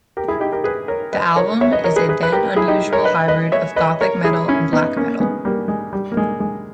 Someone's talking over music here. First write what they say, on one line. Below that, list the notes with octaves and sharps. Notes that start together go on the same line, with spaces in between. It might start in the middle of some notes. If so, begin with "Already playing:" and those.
The album is a then-unusual hybrid of gothic metal and black metal.
G4 A#4
E4 G#4
D#4 G4
G4 A#4
G#4 B4
A#4 C#5
B4 D#5
A#4 C#5
C#5 E5
B4 D#5
A#4 C#5
G#4 B4
G#4 B4
B4
G4 A#4
E4 G#4
D#4 G4
A#4 C#5
B4 D#5
B4 D#5
C#5 E5
B4 D#5
A#4 C#5
E4 G#4
C#4 E4
B3 D#4
A#3 C#4
G#3 B3
G3 A#3
G#3
G3
A#3
G#3
G#3